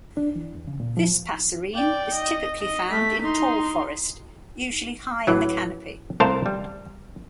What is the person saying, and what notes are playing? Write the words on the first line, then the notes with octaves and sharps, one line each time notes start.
This passerine is typically found in tall forest, usually high in the canopy.
D4
E3
E2
C#3
A#2
F3
D5 G5
D#5
D#5
A3 B6
D#4 C6
A1 A2 E3 F#3
C2 A3 A#4 C5 F5 A5
G3